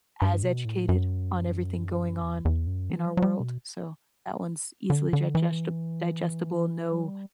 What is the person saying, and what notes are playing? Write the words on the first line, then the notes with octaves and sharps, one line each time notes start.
as educated on everything going on in our world. So, that one's easily gigesta digestible, no,
G2
B2
A2
F#2
E2
E2
F#2
E3
F#3
F#3
G3
B2
D3
D3
E3
F#3
G3